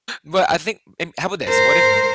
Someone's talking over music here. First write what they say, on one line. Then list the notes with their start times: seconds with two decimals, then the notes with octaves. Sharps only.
But I think and how about this? What if
1.48 A#4 C5